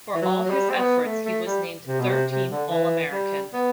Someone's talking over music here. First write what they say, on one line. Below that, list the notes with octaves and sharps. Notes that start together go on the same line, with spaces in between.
For his efforts, he was named Third Team All-American.
E3
F#3
F#3
G3
C4
B3
A3
A3
G3
C3
B2
C3
C3
D3
E3
G3
B3